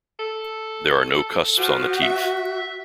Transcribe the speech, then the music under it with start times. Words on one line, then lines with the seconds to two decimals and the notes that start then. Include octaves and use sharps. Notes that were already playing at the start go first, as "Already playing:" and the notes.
There are no cusps on the teeth.
0.19 A4
1.57 F3 F#4
2.02 E5